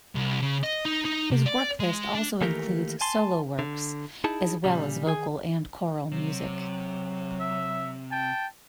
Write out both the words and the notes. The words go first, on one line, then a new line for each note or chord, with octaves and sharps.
His work list also includes solo works as well as vocal and choral music.
C2
C#3
D#5
D#4
D#4
C3
D5
G#3
D4
D#3 E3 A3 A#3 G4 A#4
G#5 A5 C6
D3
D#4 E4 G#4 A5
A#2 C#3 G3
D#3 G#4 G#5
C3 F#3
E5
G5 A5